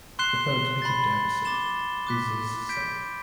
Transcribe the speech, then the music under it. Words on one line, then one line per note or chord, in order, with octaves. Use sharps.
The poet Peter Davison is his son.
C6 F#6 C7 E7 G7
B5 F#6 A6
D6 A6 E7 G7
D6 F#6 B6
G6 B6 D7